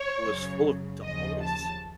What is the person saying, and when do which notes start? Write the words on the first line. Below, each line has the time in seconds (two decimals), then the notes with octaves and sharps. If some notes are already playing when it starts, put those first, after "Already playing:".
was full of dolls.
Already playing: C#5
0.25 F#2 C#3 F#3
1.03 D#2 C#3 F3 D#5
1.42 A5